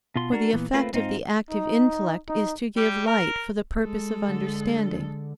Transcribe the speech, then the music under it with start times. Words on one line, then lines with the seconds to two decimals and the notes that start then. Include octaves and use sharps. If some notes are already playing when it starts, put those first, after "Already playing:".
For the effect of the active intellect is to give light for the purpose of understanding.
0.16 B2 F4 C6
0.32 D4 F#4 A#4
0.53 A#2 E3 B3
0.73 A3 A#3 C4 F4 B4
0.93 G#2 C4 D#4 F4
1.50 D#4
2.29 D#4
2.77 G3
3.07 A#4
3.82 G#3 A4
4.28 D3